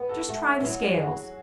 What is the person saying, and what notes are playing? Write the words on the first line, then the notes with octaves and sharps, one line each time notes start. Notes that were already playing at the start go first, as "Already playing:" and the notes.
Just try the scales.
Already playing: B3
F#4 A4
A3 F#4
E3
F#3 E4
G#4
F#4